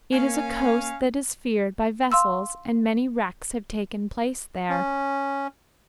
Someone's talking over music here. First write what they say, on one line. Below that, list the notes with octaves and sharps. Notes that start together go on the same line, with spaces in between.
It is a coast that is feared by vessels and many wrecks have taken place there.
A#3 C#4 F5 G#5
F5 C6 E6
C#4